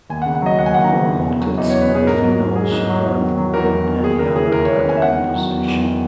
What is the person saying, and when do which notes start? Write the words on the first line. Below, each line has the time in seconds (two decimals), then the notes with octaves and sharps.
More motets by Phinot survive than any other type of composition.
0.10 D#2 G#5
0.22 F#5
0.26 C#3
0.35 F#5
0.42 F#3 D#5
0.59 D#2 F#5
0.66 G#5
0.74 D#2 F#5
0.84 A#5
0.92 C#3
1.08 E2
1.25 B2
1.41 F#3
1.58 E2 D#5
1.70 C#5
1.74 E2
1.81 B4
1.90 B2 G#4
2.07 G#2 A#4
2.23 F#3
2.40 G#2
2.56 F#3 G#4
2.72 G#2
2.89 F#3
3.05 E2
3.21 D#3
3.37 F#3
3.54 E2 A#4
3.71 E2
3.87 D#3
4.03 D#2 G#4
4.19 C#3 A#4
4.36 E3 G#4
4.52 D#2 A#4
4.65 C#5
4.69 D#2
4.77 B4
4.85 C#3 G#5
4.97 E5
5.02 E2 F#5
5.19 D#3
5.35 F#3
5.50 E2
5.67 E2
5.84 D#3